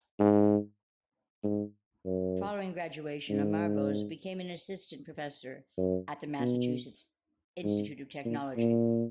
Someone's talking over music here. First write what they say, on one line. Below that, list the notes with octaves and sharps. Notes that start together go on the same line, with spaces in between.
Following graduation, Amar Bose became an assistant professor at the Massachusetts Institute of Technology.
G#2
G#2
F#2
G#2
F#2
B2
G#2
A#2
A#2